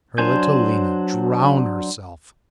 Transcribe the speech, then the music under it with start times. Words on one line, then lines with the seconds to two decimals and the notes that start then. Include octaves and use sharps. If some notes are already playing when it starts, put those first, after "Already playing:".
Her little Lena drown herself!
0.18 F#3 D4 C5 G#5 G6